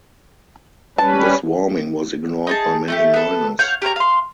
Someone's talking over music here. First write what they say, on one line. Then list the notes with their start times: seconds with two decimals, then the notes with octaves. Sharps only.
This warning was ignored by many miners.
0.98 G3 C#4 B4 A5
2.47 D#4 G#4 A5
2.88 A3 D#4 G4
3.14 B3 A4
3.59 C#5 F5 F#5 G6
3.82 G4 A#4 C#5 A#5
3.96 F5 C6